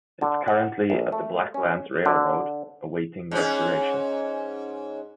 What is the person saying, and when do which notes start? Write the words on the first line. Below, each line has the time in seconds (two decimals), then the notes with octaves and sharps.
It's currently at the Blacklands Railroad awaiting restoration.
0.21 D3
0.48 F#5
0.90 A#1
1.12 A3
1.54 C#4
2.06 D3
3.31 G#2 C#4